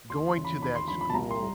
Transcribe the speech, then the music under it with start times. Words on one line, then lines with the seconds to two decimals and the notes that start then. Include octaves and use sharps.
going to that school,
0.10 D#2 C6
0.28 C6
0.36 C#3 E3
0.45 B5
0.61 D#2 B5
0.75 C6
0.88 D3 F3 B5
1.01 B5
1.10 A5
1.14 C2 A#5
1.31 C6
1.40 G3